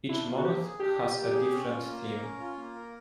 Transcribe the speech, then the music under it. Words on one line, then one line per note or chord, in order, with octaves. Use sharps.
Each month has a different theme.
D4 E4
F4
F#4
A#3 G4
G#4
D4 G4
F4
A#3
G#4
C#4
F4
A#3
A#4
C#4
F4
A#3
A#4